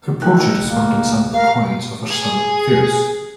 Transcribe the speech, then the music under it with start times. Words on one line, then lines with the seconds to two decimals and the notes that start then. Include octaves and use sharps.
Her portrait is found on some of the coins of her son Pyrrhus.
0.22 D#3 A3 E4 G5 F#6
0.62 C#2 A#3
1.33 A#4 F5
2.10 G#4